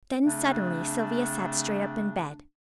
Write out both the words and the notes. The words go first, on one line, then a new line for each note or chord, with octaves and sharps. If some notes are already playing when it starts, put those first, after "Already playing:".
Then suddenly Sylvia sat straight up in bed.
C#3 A3 C4 D4